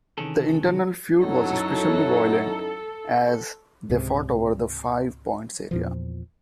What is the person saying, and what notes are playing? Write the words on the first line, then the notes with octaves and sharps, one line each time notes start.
The internal feud was especially violent as they fought over the Five Points area.
C3 D#3 E3 C#4 G#4 A4
F#2 F#3 D#4 E4 A4
C#2 G#2 C3
E2 A#2 F3